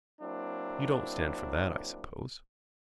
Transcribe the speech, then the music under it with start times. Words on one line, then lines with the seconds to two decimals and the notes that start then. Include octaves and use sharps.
You don't stand for that, I suppose?
0.21 F#3 A#3 C4 D4 E4